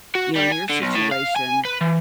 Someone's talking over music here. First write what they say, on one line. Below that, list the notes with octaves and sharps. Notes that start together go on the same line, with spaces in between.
you know, in your situation,
F#4
G3
G#5
D3
B1
A2
F5
G#5
B4
E3